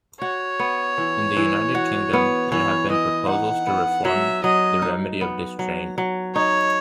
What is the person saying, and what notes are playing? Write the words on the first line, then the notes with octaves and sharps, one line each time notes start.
In the United Kingdom, there have been proposals to reform the remedy of distraint.
F#4 C#5
B3
E3
E3
F#4
B3
E3 C#5
E3 D#5
D#4 F#5
B3
F#3 E5
F#3 D#5
D#4
B3
F#3
F#3
D#4 C#5